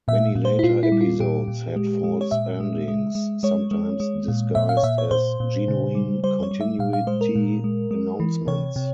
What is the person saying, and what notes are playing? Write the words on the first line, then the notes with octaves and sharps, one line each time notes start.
Many later episodes had false endings, sometimes disguised as genuine continuity announcements.
A#2 E5
A#2
C5
E4
A#2 F4
E4
G3
F4
A#2 G4
A#2
G#3
G#3
C#5
A#2 E5
G#3
G#3
G#3
G#3 C#5
G#3
G#3
A#2
A#2 E5
F5
C#5
A#2 E5
C#5
A#2 C5
A#2
C#3
G3
G3 C5
C#5
G3
E5
A#2 F5
F5
G#3 C5
A#4
A#2
G#3
G#3
E3
C3 C#5
C3